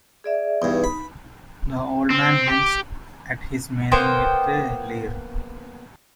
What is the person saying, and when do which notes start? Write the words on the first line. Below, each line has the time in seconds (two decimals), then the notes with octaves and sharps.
The old man hints at his meaning with a leer.
0.24 G#4 D5 E5
0.62 E2 G2 D#4
0.84 B5
2.10 C4
2.48 G4
3.92 A#3 B3 C5 G5